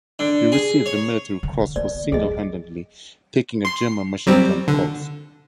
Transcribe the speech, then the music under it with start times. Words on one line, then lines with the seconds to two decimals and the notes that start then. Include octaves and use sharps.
He received the Military Cross for single-handedly taking a German machine-gun post.
0.19 D3
0.52 G#4
0.86 C#5
1.43 D3
1.76 A#3 D5
2.12 F3 A3 G#4 D#5
3.65 C6 C7
4.26 F#3 G3 C4
4.68 D3